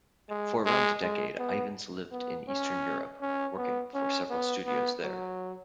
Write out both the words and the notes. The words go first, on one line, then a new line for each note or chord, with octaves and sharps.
For around a decade Ivens lived in Eastern Europe, working for several studios there.
G#3
G#3
G#3
B3
B3
C#4
C#4
B3
C#4
B3
B3
F#3